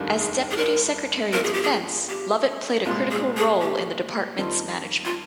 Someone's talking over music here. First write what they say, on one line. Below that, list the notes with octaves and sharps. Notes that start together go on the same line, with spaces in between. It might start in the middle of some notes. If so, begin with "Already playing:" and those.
As deputy secretary of defense, Lovett played a critical role in the department's management.
Already playing: F1 D#2 D#3 G3 D4
G#4
G#4
A#4
G1 G2 F3 C4 A#4
G#4
G4
G#4
G4
C2 A#2 G#3 F4
G#4
G#4
G4
F2 D#3 G3 C4 D#4 F4
F4